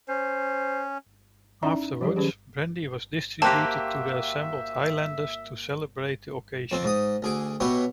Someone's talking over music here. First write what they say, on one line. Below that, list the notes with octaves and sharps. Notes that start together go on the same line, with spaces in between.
Afterwards brandy was distributed to the assembled highlanders to celebrate the occasion.
C#4 C5
C#4 D#4 E4 D5 E5 A#5
F3 G3 G4 D5
D#3 F#3 C#4 G4 G#4
A#3 F#4 G4 C5 E5 G5 A5 C6
F2 C4
G#2 D#6
D2 G#4 D6
B2 B3 G4 C#5 E5